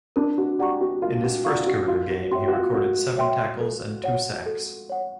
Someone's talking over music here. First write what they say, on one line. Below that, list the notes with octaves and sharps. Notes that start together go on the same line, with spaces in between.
In his first career game he recorded seven tackles and two sacks.
D4 A#4
F#4
G4 D5 F#5 A#5 C#6
F#4
F4 A#4
F#4
F4 D5 F#5 A#5 C#6
F#4
F4 A#4
F#4
F#4 C#5 E5 G5 C6
F#4
F4
F#4 A#4
C#5 E5 G5 C6
A4
C#5 F#5
A4
C#5 F#5